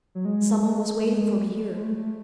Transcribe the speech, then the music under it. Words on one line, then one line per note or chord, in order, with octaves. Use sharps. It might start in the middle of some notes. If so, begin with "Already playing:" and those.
"Some one was waiting for me here."
F#3
G#3
G#3
A3
A3